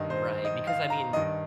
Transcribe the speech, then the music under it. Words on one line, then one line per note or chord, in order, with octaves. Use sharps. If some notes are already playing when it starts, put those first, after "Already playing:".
Right, because, I mean,
Already playing: G2 D#3 D#5
C5
D#5
F5
A#5
G2 D#3 D#5